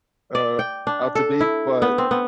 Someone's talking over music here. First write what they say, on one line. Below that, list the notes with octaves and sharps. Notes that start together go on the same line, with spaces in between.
uh, out to be, but
D5
G5
D4
A4
E4
B3
C4
B3